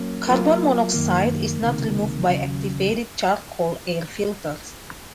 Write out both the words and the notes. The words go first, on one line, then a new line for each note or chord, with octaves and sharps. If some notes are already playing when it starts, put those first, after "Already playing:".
Carbon Monoxide is not removed by activated charcoal air filters.
Already playing: F#3 A#3 C#4
F#3 A#3 F4 A#4
F#2 D#3 A#3
C#2 C3 D#3 A#3
D#2 C#3 F#3